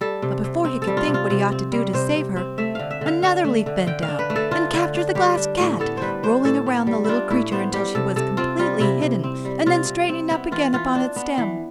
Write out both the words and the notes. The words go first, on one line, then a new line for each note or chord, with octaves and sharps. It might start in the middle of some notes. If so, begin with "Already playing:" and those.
But, before he could think what he ought to do to save her, another leaf bent down and captured the Glass Cat, rolling around the little creature until she was completely hidden, and then straightening up again upon its stem.
G3 A4
C3
C3
C4
A4
G3
F4
C3
F4
C3
C4
G3
C3 C5
C3
C4
A3 E5
D3 F5
E5
D3 F5
D4 F5
A3
D3
D3 G5
F5
D4
B4
A3
A4
D3 F4
D3
D4
G3 G4
D4
A2
B3 A4
G3 B4 C5
D4 C5
A2 A4
B3
G3
D4 E4 F4
A2 E4
B3 C5
G3 G4
C3 A4
C3 A4
C4 F4
G3 F4
C3 E4
C3
C4
G3
C3 F4
C3
C4
B3 E4
E3 F4
E3 F4
D4
B3
E3